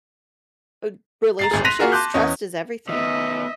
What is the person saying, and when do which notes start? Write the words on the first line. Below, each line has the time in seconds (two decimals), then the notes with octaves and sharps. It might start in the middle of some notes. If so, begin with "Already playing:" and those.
r relationships, trust is everything.
1.39 A#5 A6 C7
1.51 D#1 G#1 G#4
1.65 C6 F#6 A#6 B6 D#7 F7
1.79 A#3 F4 F#4 G#4 A#4
1.92 A5 C6 D6 F#6 G6
2.14 E2 C#4 D#5
2.89 D#3 B3 D#5 E5